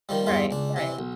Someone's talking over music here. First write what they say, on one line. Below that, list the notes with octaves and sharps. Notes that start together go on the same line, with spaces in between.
Right, right.
D#3 F3 G3
E2 G2 G3 F4
C#2 D4
C3 E3
B1